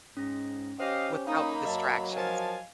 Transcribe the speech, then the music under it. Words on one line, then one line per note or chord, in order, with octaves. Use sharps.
without the distractions.
G#2 C#4 A#6
C#4 G4 C5 D#5 F5
A#3 D#4 F5 B5
F#2 F#3 D#5 E5 A5
F3 A#4 F5 G#5 A5